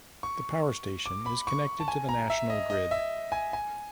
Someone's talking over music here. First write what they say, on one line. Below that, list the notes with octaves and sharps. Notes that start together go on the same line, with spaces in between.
The power station is connected to the national grid.
C#6
D6
B5
C#6
A5
G#5
A#5
E5
D#5
D#5
E5
G#5
G#5